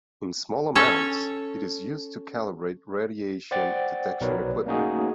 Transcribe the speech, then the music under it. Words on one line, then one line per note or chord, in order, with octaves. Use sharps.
In small amounts, it is used to calibrate radiation-detection equipment.
C#4 A4 C#5
C5 D5 F#5 G5 A6
B1 B2 A#4 B4 C#5 D5
A3 A#3 C#4 D#4 F#4 G#4